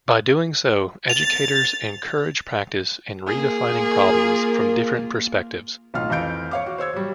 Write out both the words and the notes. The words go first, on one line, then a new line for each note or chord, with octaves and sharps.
By doing so, educators encourage practice in redefining problems from different perspectives.
A6 F7
A#3 F4 G#4 A#4
B1 A2 F4 F6
F2 E3 F5 G6 D7
C#5 F5 D6
F#4
C5 C#5 E6 G#6
F#3 G3